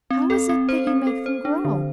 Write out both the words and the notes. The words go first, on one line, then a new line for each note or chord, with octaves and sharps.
"How is it that you make them grow?"
C4
A4
C4
C5
C4
A4
C5
D4
D3